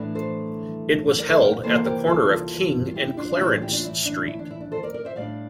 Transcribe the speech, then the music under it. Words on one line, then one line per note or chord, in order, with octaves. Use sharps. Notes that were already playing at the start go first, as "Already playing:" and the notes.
It was held at the corner of King and Clarence Street.
Already playing: A2 E3 A3 D4
A4 C5
A#4 D5
A4 C5
G4 A#4
C3 E3 A#3 A4 C5
G4 A#4
F4 A4
F4
E4 G4
E4
D4 F4
D4
A2 E3 A3 E4
D4 F4
E4 G4
D4 F4
E4
D4
E4
D4
E4
D4
A4 C5
A#4 D5
A#4 D5
C5 E5
A2 G3 D4 D5 F5